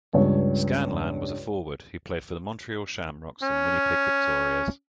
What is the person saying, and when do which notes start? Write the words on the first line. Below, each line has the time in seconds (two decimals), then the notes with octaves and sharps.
Scanlan was a forward who played for the Montreal Shamrocks and Winnipeg Victorias.
0.13 C#2 G2 C#3 C#5
3.43 C#4